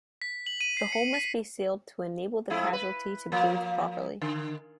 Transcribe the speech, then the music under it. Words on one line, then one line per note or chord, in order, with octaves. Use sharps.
The hole must be sealed to enable the casualty to breathe properly.
B6
F#7
D#7
C7
C#7
B6
F2 G#3 E4
B4
F3 A#3
D3